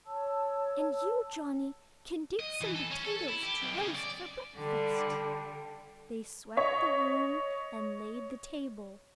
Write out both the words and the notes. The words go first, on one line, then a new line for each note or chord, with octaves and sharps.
"And you, Johnny, can dig some potatoes to roast for breakfast." They swept the room and laid the table.
C#5 A5 E6
D#5
E3
A4
C#4
A4
E4
G4
B1
C#3
D5
D3 G3
C#5 D#5 B6